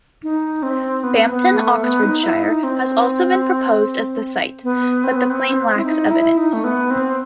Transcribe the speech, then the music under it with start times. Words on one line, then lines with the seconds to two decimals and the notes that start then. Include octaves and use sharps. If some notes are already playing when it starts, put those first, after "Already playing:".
Bampton, Oxfordshire has also been proposed as the site, but the claim lacks evidence.
0.23 D#4
0.63 C4
1.04 B3
1.30 B3
1.56 A3
1.83 B3
2.03 D#4
2.23 E4
2.43 D#4
2.63 C4
4.64 B3
5.04 C4
5.16 B3
5.30 C4
5.77 E4
5.84 D#4
6.11 E4
6.38 D#4
6.53 A3
6.64 B3
6.91 C4